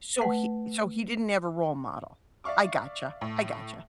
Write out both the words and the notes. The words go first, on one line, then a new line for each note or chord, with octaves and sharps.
So he so he didn't have a role model. I gotcha, I gotcha.
A3 B4 F#5
D5 E5 F5 C#6 D6
A2